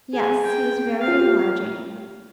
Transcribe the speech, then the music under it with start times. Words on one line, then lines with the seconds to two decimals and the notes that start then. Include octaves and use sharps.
'Yes; he was very obliging.
0.13 G#4 G#5
0.43 G5
1.01 F5
1.07 F4
1.19 G4